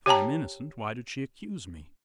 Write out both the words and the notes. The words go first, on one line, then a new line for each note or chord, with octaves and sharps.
"If I am innocent, why did she accuse me?"
G4 C#5 G5 A5 A#5